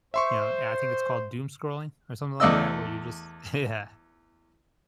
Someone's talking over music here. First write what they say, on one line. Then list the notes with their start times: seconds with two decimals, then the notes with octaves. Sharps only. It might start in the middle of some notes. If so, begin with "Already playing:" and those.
you know, I think it's called doom scrolling or something like that where you just yeah.
0.14 C5 E5 C6 C#6
2.40 E2 A3 D5 D#5 E6